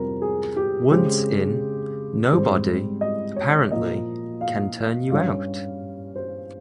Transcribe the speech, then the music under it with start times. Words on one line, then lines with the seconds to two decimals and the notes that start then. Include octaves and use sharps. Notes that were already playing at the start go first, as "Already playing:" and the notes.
Once in, nobody, apparently, can turn you out.
Already playing: F2 C3 G3 C4 A#4
0.22 G#4
0.57 G4
0.91 C#3 G#3 C4 G4
2.31 G#2 G3 C4
3.01 D#5
3.36 C#5
3.71 A#2 F3 A#3 D#5
4.41 F5
5.11 G2 G3 C#4 F5
6.16 C5